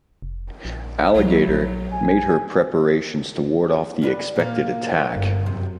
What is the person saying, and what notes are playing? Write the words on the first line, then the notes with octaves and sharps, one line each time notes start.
"Alligator" made her preparations to ward off the expected attack.
F1
A#1
C2 F#3 E4
A#1
G#5
F#2 G3 B4
A#2 A#3
G1
F#2 C3